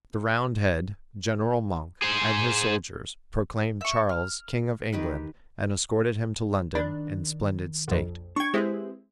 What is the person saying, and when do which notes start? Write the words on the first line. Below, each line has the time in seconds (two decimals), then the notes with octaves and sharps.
The Roundhead, General Monk, and his soldiers proclaimed Charles King of England and escorted him to London in splendid state.
2.02 G#4 C5
3.81 E5 C#6
4.09 F6
4.92 D#3 G4 B4
6.75 D#3 D4 B5
7.88 A#1 F2
8.36 D4 G5 C#6 G#6
8.54 G#3 C4 E4 G4 G#4 B4